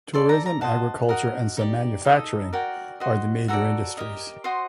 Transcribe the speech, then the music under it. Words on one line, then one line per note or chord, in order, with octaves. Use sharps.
Tourism, agriculture and some manufacturing are the major industries.
A4 D5 C6
A#5
A#5
F#4 C5 D#5 A5
F#4 A#4 D#5
D#4 G4 D5
D#4 A4 D#5
F#4 A#4 D5 G5
F#4 C5 D#5
F#4 A4 D5 A#5
G4 A#4 D#5
F#4 C5 D#5 C6